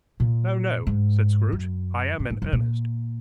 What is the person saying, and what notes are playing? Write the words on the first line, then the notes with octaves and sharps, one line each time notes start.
'No, no,' said Scrooge. 'I am in earnest.
A#2
G#2
F#2
G#2
G#2
F#2
A#2